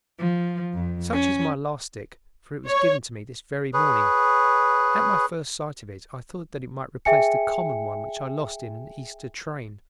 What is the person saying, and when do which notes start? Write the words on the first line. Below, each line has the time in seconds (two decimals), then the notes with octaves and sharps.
Such is my last stick, for it was given to me this very morning. At my first sight of it I thought that it might replace the common one which I lost in an Easter train.
0.18 F3
0.74 F2
1.13 C#4
2.67 C#5
3.73 G#4 B4 C#5
7.05 G#4 E5 G5 G#5 C#7